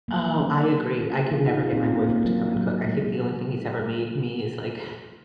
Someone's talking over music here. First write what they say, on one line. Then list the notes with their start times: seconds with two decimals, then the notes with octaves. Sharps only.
Oh, I agree. I could never get my boyfriend to come and cook. I think the only thing he's ever made me is, like,
0.08 F#3 A#3
0.39 A#3 C#4
1.01 A#3 C#4
1.32 F4 G#4
1.47 D#4 F#4
1.63 C#4 F4
1.73 C4 D#4
1.83 C#4 F4
1.94 A#3 C#4
2.09 A#3 C#4
2.25 F#3 A#3
2.56 F#3
2.87 G#3
3.80 G#3